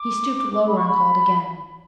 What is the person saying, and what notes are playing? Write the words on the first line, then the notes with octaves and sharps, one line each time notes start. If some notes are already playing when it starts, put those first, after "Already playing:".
He stooped lower, and called again.
Already playing: D6
B5
C#6
B5